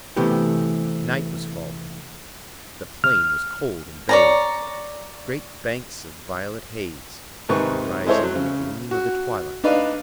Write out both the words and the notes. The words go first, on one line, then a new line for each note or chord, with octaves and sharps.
Night was falling, the plain was cold and vague, great banks of violet haze were rising in the gleam of the twilight.
C3 E3 A3 B3 E4 G4
F6
C#5 D5 A#5
G#2 C3 D#3 B4 C#6
G#3 C4 E4 A4 C5 C#5
F#3
C#3
F#4
D4 D#4 B4 D5 F5